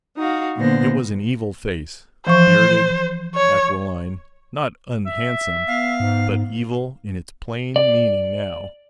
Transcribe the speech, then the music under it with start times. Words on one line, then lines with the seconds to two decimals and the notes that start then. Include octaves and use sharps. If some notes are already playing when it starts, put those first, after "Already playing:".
It was an evil face, bearded, aquiline, not unhandsome; but evil in its plain meaning now.
0.17 D#4 F#4 F5
0.57 A#2 D3 B3 C5 A#6
2.27 E3 F3 C5 C#6
3.35 C#5
5.06 E5
5.67 B3 F5
6.00 G#2
7.76 D5